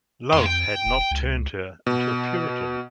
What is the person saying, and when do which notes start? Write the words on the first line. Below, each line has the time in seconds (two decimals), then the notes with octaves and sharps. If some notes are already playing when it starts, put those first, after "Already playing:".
Love had not turned her into a Puritan.
0.33 F2 A3 C6
0.46 G5
0.86 E1
1.11 C#2
1.87 B2